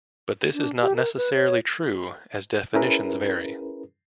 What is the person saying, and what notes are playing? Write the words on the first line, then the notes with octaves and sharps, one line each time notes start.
But this is not necessarily true, as definitions vary.
D4
G4
A#4
B4
C#5
C#4 E4 G#4 A#4 B4